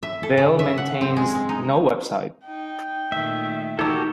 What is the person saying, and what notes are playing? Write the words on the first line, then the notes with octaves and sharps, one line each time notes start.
Valle maintains no website.
E5
A4
C#3
E5
F#5
C4
G#3
G#3
D#4
D#4 G5
A#2 D#3 A3 E5
D#4 F#4 G4 A4 A#4 E6